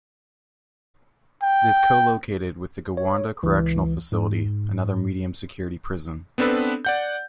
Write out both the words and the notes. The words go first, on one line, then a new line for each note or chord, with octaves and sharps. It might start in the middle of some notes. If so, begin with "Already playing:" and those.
It is co-located with the Gowanda Correctional Facility, another medium security prison.
G5
C#5
C#2 E3
G#2
B3 C4 D4 A4 B4
D5 F#5 G6